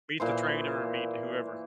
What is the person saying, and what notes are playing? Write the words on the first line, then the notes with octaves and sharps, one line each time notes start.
Meet the trainer or meet whoever.
A#2 E3 C5